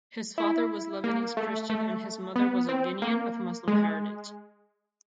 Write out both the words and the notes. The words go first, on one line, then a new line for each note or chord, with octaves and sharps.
His father was Lebanese Christian and his mother was a Guinean of Muslim heritage.
E4
A#3
A3
A3
B3
C4
A#3
G#3